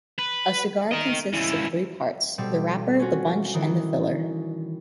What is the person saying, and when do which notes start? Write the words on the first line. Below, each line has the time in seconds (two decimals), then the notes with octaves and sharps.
A cigar consists of three parts, the wrapper, the bunch, and the filler.
0.18 B4
0.91 A#4 D#5
1.33 C#2 E3
2.38 B2 G3 C4 A4
2.99 C#4 F4 F#4
3.54 D#3 E3